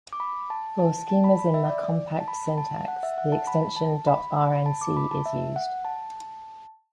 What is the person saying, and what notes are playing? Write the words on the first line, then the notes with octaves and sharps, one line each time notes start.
For schemas in the compact syntax, the extension ".rnc" is used.
D6
B5
A5
A5
A5
B5
B5
E5
D5
A5
B5
A5
F#5
E5
F#5
A5
B5
A5
B5
B5
A5
D6
B5
A5
E5
F#5
A5